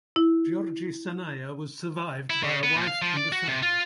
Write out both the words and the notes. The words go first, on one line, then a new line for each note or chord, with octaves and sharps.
Giorgi Sanaia was survived by a wife and a son.
E4
E4
C#3
B3
A#2
F5
F3
D5
F#4
C3
F4